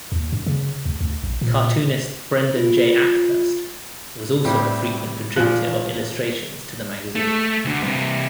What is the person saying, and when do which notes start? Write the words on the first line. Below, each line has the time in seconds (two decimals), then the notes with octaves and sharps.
Cartoonist Brendan J Ackhurst was also a frequent contributor of illustrations to the magazine.
0.12 D#2
0.33 G2
0.46 C#3
0.86 D2
1.01 D2
1.23 A#1
1.41 A#2
2.56 F4
4.45 A2 G3 C4
5.36 A#2 F3 G#5 F#6
5.67 A1
7.15 A3
7.65 D2 D3
7.83 G2 C3